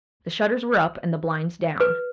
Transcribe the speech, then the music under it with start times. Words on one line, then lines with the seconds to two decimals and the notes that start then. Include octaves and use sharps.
The shutters were up and the blinds down.
1.80 B4